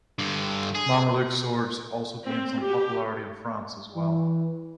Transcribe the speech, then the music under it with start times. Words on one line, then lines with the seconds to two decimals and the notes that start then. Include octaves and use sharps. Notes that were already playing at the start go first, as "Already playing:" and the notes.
Mameluke swords also gained some popularity in France as well.
0.19 G2 D3
0.75 G#4
2.25 C4
2.61 G4
3.96 E3